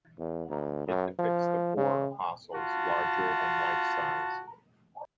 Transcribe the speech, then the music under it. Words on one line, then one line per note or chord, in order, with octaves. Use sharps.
It depicts the four apostles larger-than-life-size.
E2
D2
F#2
F3
C#3
F4 F#4 A5